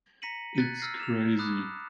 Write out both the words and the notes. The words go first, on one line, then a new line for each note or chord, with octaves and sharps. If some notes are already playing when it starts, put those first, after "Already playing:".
It’s crazy.
A#5 A#6 B6 C#7 D#7 F#7
F#6 G#6 A6 B6 C#7 D#7
E6 F6 A#6 C7
E7 F7
B5 D6 D#6 F6 F#6